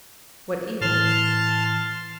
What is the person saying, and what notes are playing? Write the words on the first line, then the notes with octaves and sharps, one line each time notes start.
What evils?
A2 E3 A5 C6 F6